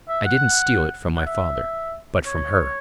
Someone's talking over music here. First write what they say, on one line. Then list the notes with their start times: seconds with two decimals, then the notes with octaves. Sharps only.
I didn't steal it from my father, but from her.
0.09 E5
0.26 F#5
1.17 F#5
1.27 E5
2.26 C#5